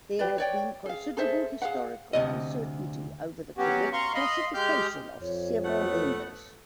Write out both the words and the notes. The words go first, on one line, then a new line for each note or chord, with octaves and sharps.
There has been considerable historical uncertainty over the correct classification of several members.
G4 B4 D5
C#5 D5 G5
G#4 F5
G#4 A4 C5 E5
G#4 F5 F#5
D2 C3 D#5
F#3 B3 C#4 F#4 G4
F5 A#5 C6 C#6
D#5 F5 B5 C6
G#3 G4 F6 G6
F2 C#5
A3 B3 F#5